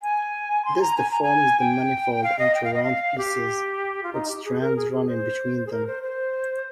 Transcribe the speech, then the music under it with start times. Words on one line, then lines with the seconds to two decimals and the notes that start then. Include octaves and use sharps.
This deforms the manifold into round pieces with strands running between them.
0.02 G#5
0.65 C6
0.76 G#5
0.81 A#5
0.97 G#5
1.11 A#5
1.22 G#5
1.59 G5
2.24 F5
2.39 D#5
2.54 G5
2.64 F5
2.74 D#5
2.83 F5
3.18 G4
4.03 F4
4.13 D#4
4.28 G4
4.44 G#4
4.61 A#4
4.76 G#4
4.92 G#4
5.08 C5
5.67 G#4
5.71 A#4
5.87 C5
6.03 C5